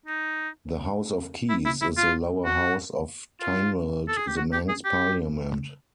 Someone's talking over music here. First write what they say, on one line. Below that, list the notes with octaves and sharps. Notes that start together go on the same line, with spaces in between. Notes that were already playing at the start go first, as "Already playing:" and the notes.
The House of Keys is the lower house of Tynwald, the Manx parliament.
D#4
E4
E4
E4
F4
F#4
F4
A4
G#4
G4
F#4
G4
G#4
G4